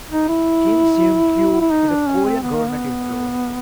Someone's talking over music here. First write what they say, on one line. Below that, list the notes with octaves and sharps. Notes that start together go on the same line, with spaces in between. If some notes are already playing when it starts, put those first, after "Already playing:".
Kim Seung-kew is a Korean Government employee.
D#4
E4
E4
D#4
D4
C#4
C4
B3
A#3
B3